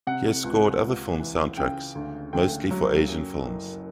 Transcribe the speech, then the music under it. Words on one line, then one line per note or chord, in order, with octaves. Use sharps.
He has scored other film soundtracks, mostly for Asian films.
C3 F#5
C#2
C#2
E3
C#3 G5
D2
D2 G5
F#3
F#2
F#1